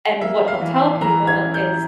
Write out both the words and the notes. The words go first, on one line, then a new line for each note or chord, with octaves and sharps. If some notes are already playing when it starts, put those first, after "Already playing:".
and what he'll tell people is,
A#3 E5
F5
E3
E3 A#5
G#6
C#4
G6